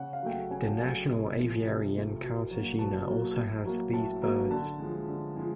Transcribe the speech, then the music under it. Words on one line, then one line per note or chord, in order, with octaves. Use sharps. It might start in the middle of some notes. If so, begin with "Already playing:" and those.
The National Aviary in Cartagena also has these birds.
Already playing: C#3 F#5
F5
F#3 A3 G5
F#5
C#3 G#5
A5
F#3 A3 G#5
C3
F3 A3
C3
F3 A3
B2
F#3 A#3
B2 A5
F#3 A#3
A2
F#3 A#3
A2 A5
F#3 A#3
D3 A5
F3 G#3
D3
F3 G#3